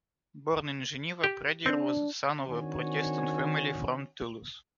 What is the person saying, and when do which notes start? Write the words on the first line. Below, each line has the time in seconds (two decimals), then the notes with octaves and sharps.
Born in Geneva, Pradier was the son of a Protestant family from Toulouse.
1.24 G4
1.66 C4 D4
2.49 D#3 C4 D4 F#4 C#5 G#5